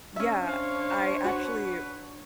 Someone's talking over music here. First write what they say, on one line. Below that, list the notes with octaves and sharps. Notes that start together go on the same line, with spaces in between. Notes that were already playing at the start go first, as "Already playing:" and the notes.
Yeah, I actually,
C#4 D4 C#5 E5
C5 F5
F#4 B4 F#5